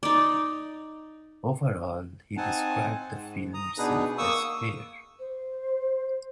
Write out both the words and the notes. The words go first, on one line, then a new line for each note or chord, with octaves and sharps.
Overall, he described the film itself as "fair".
D#4 D5
C4 D#4 F#5 G#5 A5
G#2
A#5 D#6
B2 B3 D4 D#4 G#4 B4
A#3 C#6 D#6 E6
C5